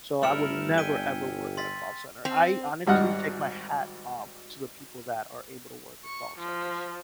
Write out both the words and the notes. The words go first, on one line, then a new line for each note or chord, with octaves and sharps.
So, I would never ever work at a call center, I honestly take my hat off to the people that are able to work in call centers.
G1 A3 E4 A#4 E6 F6 C#7
G5 G#5 B6 D#7
C6 A6 B6
C4
G#1 G3 D#5 F#5 F6
C#6
F3